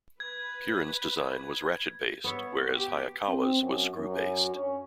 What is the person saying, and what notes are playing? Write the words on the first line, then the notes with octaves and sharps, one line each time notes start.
Keeran's design was ratchet-based, whereas Hayakawa's was screw-based.
B4 G#6
B3 C#5 E5
G4
C4
F#2
F#2
C#4